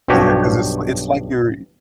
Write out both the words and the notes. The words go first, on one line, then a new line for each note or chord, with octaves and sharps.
Yeah, 'cause it's li it's like you're
B1 G2 F3 F#4 G4 G#5